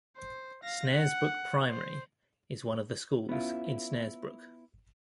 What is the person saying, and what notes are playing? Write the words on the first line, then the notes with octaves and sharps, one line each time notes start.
Snaresbrook Primary is one of the schools in Snaresbrook.
C5
F5 A#6
F#5
C5
B3 C#4 E4 F4